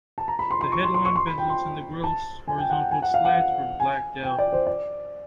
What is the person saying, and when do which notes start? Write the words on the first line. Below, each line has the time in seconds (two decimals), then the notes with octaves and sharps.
The headlamp bezels and the grille's horizontal slats were blacked-out.
0.18 A5
0.28 A#5
0.39 B5
0.51 C6
0.61 C6
0.72 C#6
0.83 C6
0.94 C6
1.05 C#6
1.16 C6
1.27 B5
1.38 G5
1.49 C6
2.04 A5
2.48 G#5
2.58 G5
2.70 F#5
2.81 G5
2.91 G#5
3.02 F#5
3.14 F5
3.25 F#5
3.80 G#5
4.23 G5
4.39 D5
4.53 C5
4.67 D5